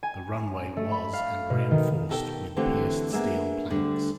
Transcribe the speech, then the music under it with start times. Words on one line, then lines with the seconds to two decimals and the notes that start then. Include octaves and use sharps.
The runway was and reinforced with pierced steel planks.
0.03 G#5
0.77 A3
0.91 B5
1.13 F5
1.50 B2
1.71 D#3
2.09 B2 D#3 G4 A4 F5 G5
2.57 D3 E3 A3 C4 G4
3.13 A#3 B3 D4 G#4 E5
3.70 D2 D3 G3 D4